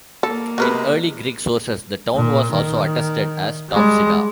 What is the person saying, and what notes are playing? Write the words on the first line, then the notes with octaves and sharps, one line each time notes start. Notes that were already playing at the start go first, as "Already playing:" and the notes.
In early Greek sources the town was also attested as Topsida.
A#3 A4
C3 G#3 B3 F#4 A#4 B4
A#2
D#3
G3 G#3